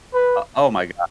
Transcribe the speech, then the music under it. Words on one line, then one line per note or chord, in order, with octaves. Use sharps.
O oh my God.
B4